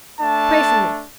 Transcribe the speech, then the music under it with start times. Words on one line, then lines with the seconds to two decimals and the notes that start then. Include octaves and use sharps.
Pray for me!
0.20 A3 D4 A5